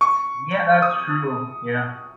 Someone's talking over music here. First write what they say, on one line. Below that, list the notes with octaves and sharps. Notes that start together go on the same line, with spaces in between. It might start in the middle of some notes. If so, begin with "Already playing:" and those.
Yeah, that's true. Yeah.
C#6
D#6